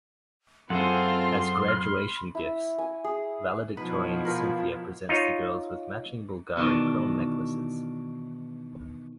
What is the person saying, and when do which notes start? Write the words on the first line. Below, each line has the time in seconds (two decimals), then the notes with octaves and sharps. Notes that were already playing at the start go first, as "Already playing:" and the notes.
As graduation gifts, valedictorian Cynthia presents the girls with matching Bulgari pearl necklaces.
0.70 F#2 C4 E4 F4 G#4 A4 F#5 C6
1.68 B5 F6
2.35 E4
2.78 G#5
3.04 G#4
3.77 B2 F3 D#4 E4 B4
4.25 F4 A#4 B4
5.09 D#4 F4 C#5
6.57 B2 D#3 E3 D4